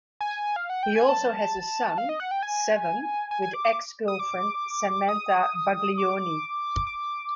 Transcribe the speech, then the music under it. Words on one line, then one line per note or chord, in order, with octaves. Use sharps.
He also has a son, Seven, with ex-girlfriend Samantha Baglioni.
G#5
F5
F#5
G5
G#5
A5
F5
D#5
F#5
G5
G#5
G#5
G#5
D6
D6
D#6
D6
D#6
D6
D6